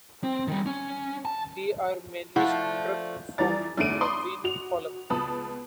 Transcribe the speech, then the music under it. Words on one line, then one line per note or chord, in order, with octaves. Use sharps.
They are merely struck from the win column.
C4
D#3 G3
C#4
A5
F3 A3 D4 E4 F#5
F2 E3 G3 D5 A#5 A6
G#1 E2 D3 A3 D7 D#7
B5 C6 D6 D#6
F#4 F7
C#2 B3 A5 B5 D#6